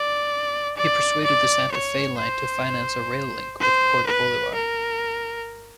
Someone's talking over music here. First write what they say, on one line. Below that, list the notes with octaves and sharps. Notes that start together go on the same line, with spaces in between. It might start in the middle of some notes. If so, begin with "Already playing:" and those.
He persuaded the Santa Fe line to finance a rail link with Port Bolivar.
Already playing: D5
D5
D5
C#5
C5
C5
B4
A#4